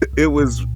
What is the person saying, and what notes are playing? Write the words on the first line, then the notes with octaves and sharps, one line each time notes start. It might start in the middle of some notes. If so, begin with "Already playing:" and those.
it was
Already playing: C2
C2
A#2